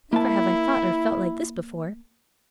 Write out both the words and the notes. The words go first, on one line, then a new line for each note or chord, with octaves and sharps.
Never have I thought or felt like this before!
A#3 E4 A5